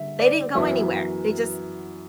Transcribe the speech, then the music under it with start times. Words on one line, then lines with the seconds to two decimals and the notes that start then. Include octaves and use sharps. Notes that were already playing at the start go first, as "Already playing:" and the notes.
they didn't go anywhere, they just
Already playing: D3 G3 E5
0.20 D5
0.55 F#2 E3 B3 E5